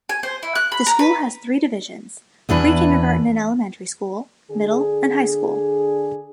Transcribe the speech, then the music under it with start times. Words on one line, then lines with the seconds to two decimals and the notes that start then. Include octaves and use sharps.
The school has three divisions: pre-kindergarten and elementary school, middle, and high school.
0.09 G#5
0.23 C5
0.43 E4
0.55 F#6
0.72 B5
0.87 A#5
0.99 B4
2.49 E2 E3 D4 B4
4.51 D3 D4 G#4